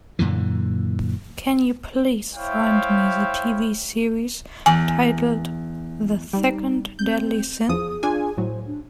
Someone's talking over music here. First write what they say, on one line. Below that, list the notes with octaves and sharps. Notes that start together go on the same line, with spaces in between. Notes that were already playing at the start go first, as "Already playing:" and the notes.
Can you please find me the TV series titled The Second Deadly Sin?
F#2 A#2 D3 E3
E4 C5 C#5 E5 F5 G5
E2 G#5
G3 D#4
C4 G6
E2 F3 G#4 D#6
D4 F4 G#5
A2 F#3 C5
D4